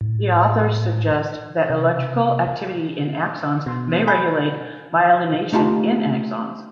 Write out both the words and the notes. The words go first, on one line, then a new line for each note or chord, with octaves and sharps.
The authors suggest that electrical activity in axons may regulate myelination in axons.
A2
C3
B2 C6
G#5 B5 G6
A3 D#4 F4 G4 A5